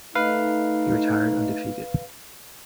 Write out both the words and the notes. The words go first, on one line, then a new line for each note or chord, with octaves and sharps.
He retired undefeated.
A3 D#4 B4 F5